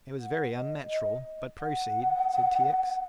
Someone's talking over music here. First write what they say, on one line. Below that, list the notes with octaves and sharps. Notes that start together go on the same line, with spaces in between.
"It was very unnatural, but proceed," said T. X.
F#5
D#5
D#5
F#5